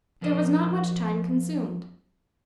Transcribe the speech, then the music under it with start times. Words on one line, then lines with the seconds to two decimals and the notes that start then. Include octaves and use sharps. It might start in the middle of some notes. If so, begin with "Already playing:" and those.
There was not much time consumed.
0.21 F2 F3 A#4 C5 D#5